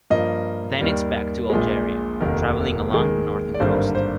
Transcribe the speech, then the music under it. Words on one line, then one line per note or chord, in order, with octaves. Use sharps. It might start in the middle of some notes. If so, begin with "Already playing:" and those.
Then it's back to Algeria, travelling along the northern coast.
G2 F3 A#3 D#5
D#2 D#3 G3
A#1 A#2 G#3
F1 D#2 D#3 A#4
D#2 D#3 G#3
D5
G#1 G2 D3 G3 A#3 C5
C5